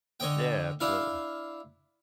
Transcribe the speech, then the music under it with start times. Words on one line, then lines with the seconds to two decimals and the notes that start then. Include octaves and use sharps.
Yeah, absolutely.
0.20 D3 C#5 D#5 G5
0.80 D4 E4 F5